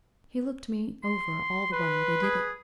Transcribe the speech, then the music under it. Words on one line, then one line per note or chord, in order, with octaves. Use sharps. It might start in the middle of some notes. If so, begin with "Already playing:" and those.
He looked me over all the while they did it.
C6
B4 C6
G#4